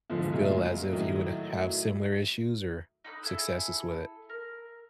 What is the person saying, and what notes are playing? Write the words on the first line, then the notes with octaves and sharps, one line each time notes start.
f feel as if you would have similar issues or successes with it.
E2 G#2 D3 F3
A#2 C#3 F#3 G#3 A3
A2 D#3 F#3 A3
D#4 B5 D#6 F#6
E4 G#4 A4
A#4